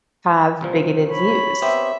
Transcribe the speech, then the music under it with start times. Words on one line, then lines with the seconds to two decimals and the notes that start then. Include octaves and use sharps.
have bigoted views,
0.61 C2 A#2 F3
1.08 C#5 B5
1.62 B3 C4 G4 E5